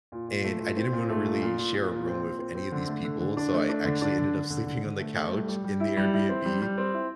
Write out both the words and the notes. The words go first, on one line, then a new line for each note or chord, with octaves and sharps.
And I didn't wanna really share a room with any of these people, so I actually ended up sleeping on the couch, in the Airbnb,
A#2
A#2
A3
A#2
C4
A#2
A3
A#2
A#2
A#2
A#2
A#2
C4
A#2
C4
C4
D3
A3
D3
D3
D4
A3
D4
D3
D4
D3
D3
D3
D3
D3
A3
A3
G3
G3
G3
E4
G3
E4
C4
G3
G3
C4
E4